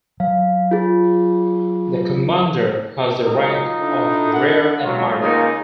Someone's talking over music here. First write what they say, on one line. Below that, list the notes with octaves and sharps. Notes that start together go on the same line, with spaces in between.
The commander has the rank of rear admiral.
F#3 F5
F4 G#4
F#3 G#3 D#4 F4 A#4
D4 E4 A4
F#5
A1 F#3 G#3 F4
C#2 G#3 A#3 D#4 G#4